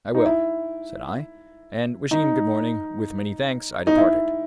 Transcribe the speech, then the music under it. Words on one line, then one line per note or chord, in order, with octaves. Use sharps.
"I will," said I, and wishing him good morning, with many thanks, I departed.
D#4
E4
D#4
D#4
E4